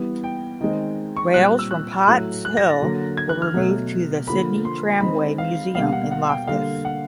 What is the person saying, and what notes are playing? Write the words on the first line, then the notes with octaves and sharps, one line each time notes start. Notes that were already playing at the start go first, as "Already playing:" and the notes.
Rails from Potts Hill were removed to the Sydney Tramway Museum in Loftus.
Already playing: E3 G3 B3
G5
D#3 G#3 C4
C#6
A#2 G3 C4 F#6
F#6
E6
F#6
A2 F#3 A3 F#6
F#6
A#6
A6
D3 F#3 A#3
G#6
F#6
F6
B2 F#3 A3
D3 F3 A#3 B5
C6
D#3 G#3 C4 B5
F5
B2 G3 A#3 F5
F#5
F#5
G5
D3 G3 A#3 F5
F#5